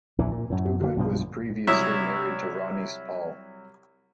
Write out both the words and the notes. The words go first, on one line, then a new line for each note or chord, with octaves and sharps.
Toogood was previously married to Ronise Paul.
A#1 E2 E3
A#2
F#2 A2
D3 F#3 A#3
B1 G2 B2 F3
C2 F#3 E4 C#5 E5 D#6